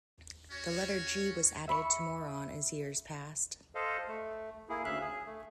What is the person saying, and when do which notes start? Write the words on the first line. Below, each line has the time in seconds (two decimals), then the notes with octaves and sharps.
The letter "g" was added to Moron as years passed.
0.51 C#4 F#4 C#5
1.68 E5 B5 C#6
3.75 A4 C5 D#5 F5
4.08 A3
4.69 A#3 E4 G#4
4.85 D2 C#3 E5 F5 F#6
5.01 G#4
5.26 A3